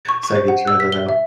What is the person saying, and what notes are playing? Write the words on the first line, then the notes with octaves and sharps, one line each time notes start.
so I could try that out.
C#6
C#6
C5
F#5
E6
B6
G7
E5